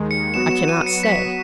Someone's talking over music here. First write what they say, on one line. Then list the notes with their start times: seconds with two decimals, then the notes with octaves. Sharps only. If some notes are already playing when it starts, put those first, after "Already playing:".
I cannot say.
Already playing: D#2 D#3 G#3
0.11 C#7
0.34 F#3 B3 F#4 E7
0.51 E7
0.68 D#7
0.86 C#7
1.03 B6